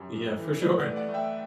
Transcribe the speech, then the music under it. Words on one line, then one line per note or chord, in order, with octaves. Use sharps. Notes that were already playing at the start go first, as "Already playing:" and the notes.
Yeah, for sure.
Already playing: F#2 G4
F#2
A4
E3
A3 B4 D5
D5 F#5
A3
D5 F#5
A3
E5 G5